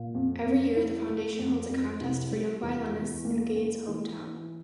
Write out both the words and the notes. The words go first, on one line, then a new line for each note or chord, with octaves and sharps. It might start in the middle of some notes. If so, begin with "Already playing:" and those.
Every year the foundation holds a contest for young violinists in Gade's hometown.
Already playing: A#2
F2
F2
E4
A3
F2
F2
C2
G3
E2
E2
A#3
A#3
E3
E3